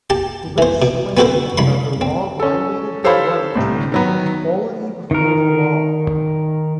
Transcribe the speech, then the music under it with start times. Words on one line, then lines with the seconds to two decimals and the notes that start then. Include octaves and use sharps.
Bliss claimed that the law violated her right to "equality before the law".
0.10 G4 A5
0.58 E3 C5
0.82 B2
1.17 B3 C4 F#4 A4 B4 C5
1.58 C2 B5 C6
2.01 C4
2.40 C#4 A4
3.04 G4 A4 C5 C#5 F5 B5
3.55 C2 A2
3.92 D#3 F#3 B3
5.11 D#3 A#4